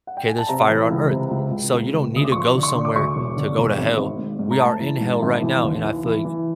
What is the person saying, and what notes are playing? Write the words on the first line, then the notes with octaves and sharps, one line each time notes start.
'Kay, there's fire on earth, so, you don't need to go somewhere to go to hell. We are in hell right now and I feel like
F#5
G5
G#5
A5
C3 A#5
E3
C#2
C3
C#2
C#2
C#2
C#2
D2 D#6
D6
F3 C#6
C6
D3
C#6
C6
D3
D6
D2 C#6
E1
D3
E1
G#1
G#1
G#2
G#2
A#5
A3 A5
E3
G#2
G#1
E3
D#2
E3
E3
E3